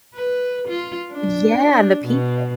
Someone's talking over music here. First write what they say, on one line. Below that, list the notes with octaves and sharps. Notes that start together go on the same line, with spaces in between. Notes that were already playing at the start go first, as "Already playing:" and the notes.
Yeah, and the people.
B4
F4
D4
B2